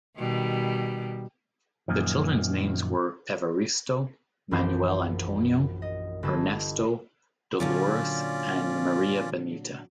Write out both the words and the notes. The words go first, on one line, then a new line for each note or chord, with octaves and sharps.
The children's names were Evaristo, Manuel Antonio, Ernesto, Dolores and Maria Benita.
B2 D#3 G3
F#2 A#2 D#3 F3
A#1 F#2 E3 A#4 C5 D6
D#5
G1 B4 D#5 A5 E6 G#6
A#2 D3 F#3 C#4 F4 D5